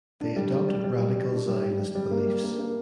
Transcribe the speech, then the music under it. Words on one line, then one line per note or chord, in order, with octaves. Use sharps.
They adopted radical Zionist beliefs.
D4
G3
G3
G3
G3
G3
G3
D4
G3
G3
G3
G3
A#3
G3
A#3
A#3